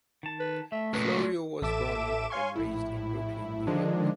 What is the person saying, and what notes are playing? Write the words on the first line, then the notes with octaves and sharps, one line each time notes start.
Florio was born and raised in Brooklyn, New York.
D#3 A5
B4
A3 E5
C#2 A#2 B4
F4
A1 A4 E5 D6 D7 E7
C#5 F5 G#5 C6 C#6
A#1 A2 E4
D3 D#3 F3 G#3 D4